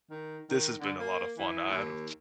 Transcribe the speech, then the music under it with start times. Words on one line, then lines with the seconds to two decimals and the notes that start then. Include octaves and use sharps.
This has been a lot of fun, I I don't
0.10 D#3
0.49 D#3
0.80 D3
0.99 A#3
1.38 E3
1.69 D#2